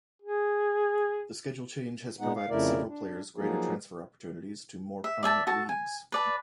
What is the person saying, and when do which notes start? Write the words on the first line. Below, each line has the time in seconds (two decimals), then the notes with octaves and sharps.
The schedule change has provided several players greater transfer opportunities to more prominent leagues.
0.22 G#4
2.20 A#2 G#3 B3 D#4 F#5
2.36 F5
2.50 F2 C#3 A3 E4 A#4 D5
2.88 D4
3.36 F3 F#3 A#3 D#4 G#4
5.04 E5
5.23 D5 E5 G#5 A5
5.47 F#4 A4 A5
5.69 G#5
6.12 B4 D5 A5